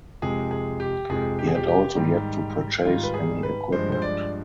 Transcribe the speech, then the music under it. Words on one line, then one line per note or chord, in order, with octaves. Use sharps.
He had also yet to purchase any equipment.
F2 C3 F3 G#3 G#4
G#4
G4
F2 C3 F3 G#3 G#4
G4
G#4
G4
G4
G#2 D#3 G3
G#2 D#3 G3 F4
B4
G#4
B4
G2 F3 G#3 C5
C5
D5